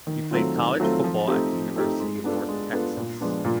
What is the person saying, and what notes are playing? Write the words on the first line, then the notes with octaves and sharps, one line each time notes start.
He played college football at the University of North Texas.
D#3
F#3 A3 C4 F4
D#3
F#3 A3 C4 F4
F3
A3 C4 D#4 G4
F3
A3 C4 D#4 G4
G#3
B3 D4 F4 A4
G#3
B3 D4 F4 A4
A#2
F3 G#3 B3 D4
A#2